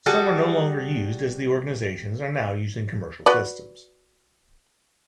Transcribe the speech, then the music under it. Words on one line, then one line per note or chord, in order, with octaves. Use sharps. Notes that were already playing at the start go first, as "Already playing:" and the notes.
Some are no longer used as the organizations are now using commercial systems.
G3 F#4 G#4 A4
F#4 B4 D5